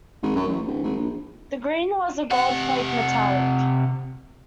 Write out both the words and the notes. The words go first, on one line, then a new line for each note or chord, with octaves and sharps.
The green was a gold flake metallic.
G#1
F#2
A1
D1
G#1
A#1
C3 F#5